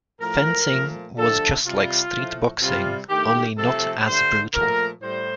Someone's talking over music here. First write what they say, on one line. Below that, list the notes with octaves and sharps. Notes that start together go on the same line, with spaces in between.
Fencing was just like street boxing, only not as brutal.
A2 F3 A3 A#4
A#2 F3 A3
G2 D3 F3 A3 A4
C3 G3 F4
A2 F3 A3
C3 G3 F4
G2 D#3 A3 G4
C3 F3 A3 A4
G2 D3 A3 C5
A#2 F3 A3 A#4
A2 G3 C5